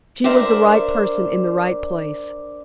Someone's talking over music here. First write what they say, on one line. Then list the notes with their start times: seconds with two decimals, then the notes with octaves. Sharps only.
She was the right person in the right place.
0.24 D4 A#4 C5 E5